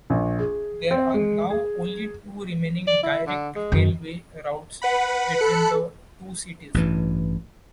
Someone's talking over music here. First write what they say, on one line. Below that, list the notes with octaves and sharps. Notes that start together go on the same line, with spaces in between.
There are now only two remaining direct railway routes between the two cities.
A#1
G#4
C4
G#3
G#4
D5
E4
D3
G#3
F#2 D#3
B4 F#5 B5
A4 B5 F#6 C#7
A1 G2 E3